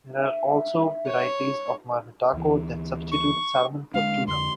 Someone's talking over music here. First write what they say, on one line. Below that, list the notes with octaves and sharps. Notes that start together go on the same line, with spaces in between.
There are also varieties of marmitako that substitute salmon for tuna.
E5
C#5
D2 E3
C#6
D3 G#3 D4 F5
F2 D3 C6